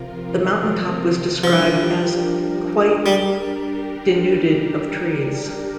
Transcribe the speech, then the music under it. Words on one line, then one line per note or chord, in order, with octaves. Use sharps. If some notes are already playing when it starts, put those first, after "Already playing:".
The mountain top was described as quite denuded of trees.
Already playing: C3 F3 C4 F4 A#4
F3 G3 D4 G4 A#4
G3